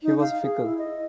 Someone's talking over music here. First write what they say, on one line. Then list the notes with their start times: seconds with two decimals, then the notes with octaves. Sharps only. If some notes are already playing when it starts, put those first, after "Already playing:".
He was fickle.
0.03 D#4
0.20 F5
0.43 G#4
0.62 E4
0.78 D#5